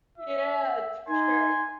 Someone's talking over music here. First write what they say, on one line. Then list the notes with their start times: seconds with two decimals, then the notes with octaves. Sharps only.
Yeah, it's for sure.
0.18 E5
1.08 D#4 G#5 C6